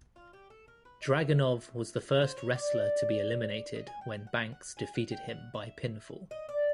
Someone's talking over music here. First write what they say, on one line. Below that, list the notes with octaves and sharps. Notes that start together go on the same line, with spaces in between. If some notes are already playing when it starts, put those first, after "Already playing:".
Dragunov was the first wrestler to be eliminated when Banks defeated him by pinfall.
F4
G4
A4
A#4
B4
D#5
E5
C5
C#5
D5
D5
D#5
G#5
G5
G5
F#5
F#5
G#5
F#5
G5
F#5
E5
D#5
D5